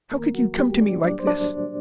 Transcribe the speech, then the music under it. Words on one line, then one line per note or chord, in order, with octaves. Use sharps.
How could you come to me like this!
D#3 A#3 A#4
F#3 F#4
F#3 G3 G4
D4 D5
F#3 D4 D5
C5
D4 D5